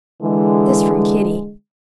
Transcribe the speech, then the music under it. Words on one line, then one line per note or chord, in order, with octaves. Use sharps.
This from Kitty.
D3 E3 G#3